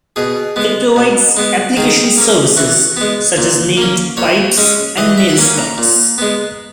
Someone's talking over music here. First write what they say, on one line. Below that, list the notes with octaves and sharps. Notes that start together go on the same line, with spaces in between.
It provides application services such as named pipes and MailSlots.
B2 G#4
G#3 B3
B2
G#3 B3
D#3 G#4
A#3 C#4
E3 F#4
G#3 B3
A#2
A#3 C#4
A#2 C#5
G#3 C#4
E3 D#5
E5
F#5
A#3 C#4 G#5
A#5
A#2
G#3 B3